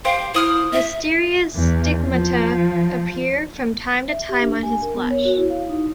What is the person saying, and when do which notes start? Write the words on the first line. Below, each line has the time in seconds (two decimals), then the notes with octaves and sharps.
Mysterious stigmata appear from time to time on his flesh.
0.05 G4 C5 F5 G5
0.34 E4 C5 D#6 F6
0.72 E5
1.55 E2
2.06 F3
4.08 E5
4.29 G4
4.42 D4
4.63 G#5
4.82 A#4
4.94 B3
5.10 C#5
5.25 F#4
5.38 E4
5.50 F5
5.69 D#4